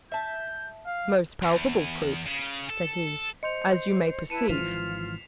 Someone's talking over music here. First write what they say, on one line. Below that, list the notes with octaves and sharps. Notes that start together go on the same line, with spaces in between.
"Most palpable proofs," said he, "as you may perceive."
E5 A5 G6
F5
E2
C#3
A4
C5 D#5 C6 G6 C#7 F7
E4 B4 A5 C#7 D#7 E7
G#1 E3 F3 F4 F6 B6 C7 F7